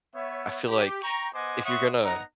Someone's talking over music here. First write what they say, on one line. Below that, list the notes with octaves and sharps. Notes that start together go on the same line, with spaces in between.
I feel like if you're gonna
B3 C#5 E5
G4
G5 A#5 C#6
B3 C5 D#5 F#5 G#5 D6
C#5 E5 F#5 C6 C#6 D#6
B3 D#4 F#5 A#5